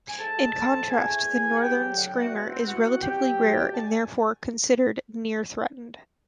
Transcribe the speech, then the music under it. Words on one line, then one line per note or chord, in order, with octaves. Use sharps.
In contrast, the northern screamer is relatively rare and therefore considered near threatened.
G#5
G#2 A4 A5
G#3
F2
F3
A2 G#4 G#5
A3
E2
E3
F#5
G#2 G4 G5
F#3
D3 F#5
G5
A3 F#4 F#5
B2
C4
E3 F#4 F#5
C4
F#5
E2 G4 G5
F#3
B2
A3
D3 A5
G#5